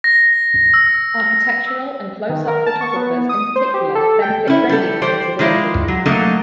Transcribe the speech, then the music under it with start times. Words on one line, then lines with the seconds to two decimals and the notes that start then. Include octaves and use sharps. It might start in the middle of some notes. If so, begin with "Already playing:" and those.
Architectural and close-up photographers in particular benefit greatly from this ability.
0.04 A#6
0.74 E6
2.30 D#3
2.48 A#4
2.66 A5
2.81 C#6
2.96 B3
3.29 D#6
3.56 C5
3.74 G4
3.95 A4
4.22 G5
4.47 C#4 E4
4.69 G3 A4
5.02 G4 C5 D5
5.39 D#3 G#3 E4 F4 D5
5.88 F#3
6.06 F#3 A3 A#3 D#4 A4 D#5